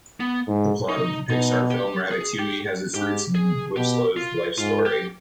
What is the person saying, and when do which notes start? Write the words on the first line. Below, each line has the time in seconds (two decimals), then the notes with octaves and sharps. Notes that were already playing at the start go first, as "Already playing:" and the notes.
The plot of the Pixar film "Ratatouille" has its roots in Loiseau's life story.
0.20 B3
0.47 G#2
0.89 D#4
1.30 B2 D#4
1.71 G4
2.11 G#4
2.39 G4
2.94 G#2 G4
3.35 G#4
3.76 B2 G4
4.17 F4
4.58 G#2 F4
4.86 G4